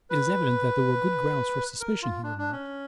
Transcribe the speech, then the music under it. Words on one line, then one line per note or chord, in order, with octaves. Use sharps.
"It is evident that there were good grounds for suspicion," he remarked.
B4
A#4
F4
D4
D4
C#4